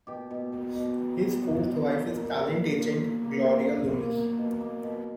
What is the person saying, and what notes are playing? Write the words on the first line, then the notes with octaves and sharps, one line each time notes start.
His fourth wife is talent agent Gloria Loomis.
B2 G4
B2
B2
B2
B3
B3
F#3
B2
A#3
A#2
A#2
A#3
A#3 F#4
A#3
A#3
A#3
A#3
A#3
A#3
B2
A#3
B2